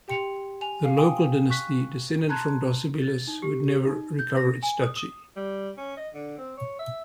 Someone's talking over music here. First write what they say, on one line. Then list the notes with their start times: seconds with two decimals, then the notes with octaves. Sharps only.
The local dynasty, descended from Docibilis, would never recover its duchy.
0.08 G4 G5 C6 C#7 F7
0.61 G#5 F7
0.85 F5
0.97 G5 G#5 D#6
1.50 C#6 F#6 B6
2.29 A5 A#5 C6 F#6 G#6
3.02 A6
3.27 D#4
3.42 G4
3.68 G4
3.87 D#4
4.19 G6
4.37 A#6
4.63 G#5
4.82 D#6
4.96 D#6
5.36 G3
5.77 C#4
5.97 D#5
6.14 D3
6.38 C4
6.57 C#5
6.79 E5